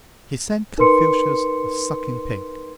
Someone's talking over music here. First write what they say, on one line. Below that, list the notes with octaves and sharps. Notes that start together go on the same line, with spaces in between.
He sent Confucius a sucking pig.
D#4 A#4 B4 C6 C#7